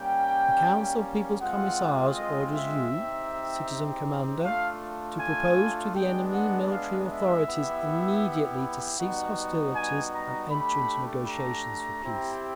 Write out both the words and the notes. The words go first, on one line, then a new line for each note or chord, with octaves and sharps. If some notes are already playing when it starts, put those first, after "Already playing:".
The Council of People's Commissars orders you, Citizen Commander,... to propose to the enemy military authorities immediately to cease hostilities, and enter into negotiations for peace.
Already playing: G3 A#3 C#4 G5
G#3 C4 F4 F#5
D#5
E5
C4 D#4 G4
A3 D4 F4 F5
G#5
G#3 B3 D4 G5
F#5
F5
E5
B3 E4 G4
G3 B3 D#4 F#4 F#5
G#5
A#5
A3 D4 G4 B5
A#5
C4 E4 G4